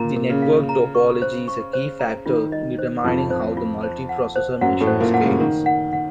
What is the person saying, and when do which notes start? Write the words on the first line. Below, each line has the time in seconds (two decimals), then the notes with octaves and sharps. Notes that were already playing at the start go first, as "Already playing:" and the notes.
The network topology is a key factor in determining how the multiprocessor machine scales.
Already playing: A#2 A#3 A#5
0.16 A#4
0.30 C#3
0.42 F5
0.69 A#5
0.95 C#6
1.22 C5
1.48 C#6
1.73 C5
1.99 A#5
2.26 D#3 F4
2.52 D#5
2.79 C5
3.04 F2 F3 F4
3.30 C5
3.57 F4
3.83 C5
4.09 F#5
4.36 C5
4.61 F#2 F#3 F#5
4.81 A2 A3
4.87 C5
5.00 A#2 A#3
5.14 F#5
5.21 C#3
5.40 D#3 A#4
5.66 F#5
5.93 F#5